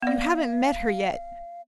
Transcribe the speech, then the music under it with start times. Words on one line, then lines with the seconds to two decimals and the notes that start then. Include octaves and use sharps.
"You haven't met her yet."
0.02 B3 D5 F5